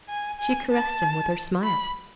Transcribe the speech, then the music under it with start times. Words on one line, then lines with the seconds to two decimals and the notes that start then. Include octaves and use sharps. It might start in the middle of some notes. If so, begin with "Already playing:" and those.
She caressed him with her smile.
0.09 G#5
0.40 G#5
0.71 A5
1.64 B5